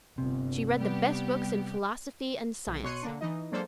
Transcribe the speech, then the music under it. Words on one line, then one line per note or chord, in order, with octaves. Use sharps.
She read the best books in philosophy and science.
G1 C3
G3 B3 G4
B1
B2 C#5 C6 F#6 C#7 D#7
D3 A#3 D4
E3 D#4 D#5
F#3 G#3 A#3 D4 A4 C5